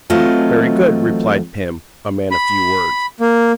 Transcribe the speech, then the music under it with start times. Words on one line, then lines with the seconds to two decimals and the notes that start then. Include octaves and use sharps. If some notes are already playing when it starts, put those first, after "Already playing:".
"Very good," replied Pim, a man of few words.
0.10 E3 F#3 A3 C4 F4 D#5
2.31 B5
3.20 A#3